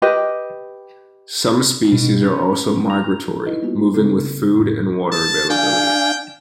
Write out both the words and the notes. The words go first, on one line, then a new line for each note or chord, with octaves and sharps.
Some species are also migratory, moving with food and water availability.
G4 B4 D#5
B2
C#4
A#5
D#4 E4 B4 D#5
G3 A#3 B3 F4 F#4
C#3 C4 A4
C#3
F2 A2 D#3
A5
D4 F5 G5 G#5